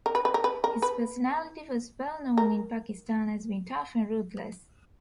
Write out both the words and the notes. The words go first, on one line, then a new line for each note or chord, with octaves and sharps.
His personality was well known in Pakistan as being tough and ruthless.
A#4
B4
B4
A#4
B4
A#4
B4
A#4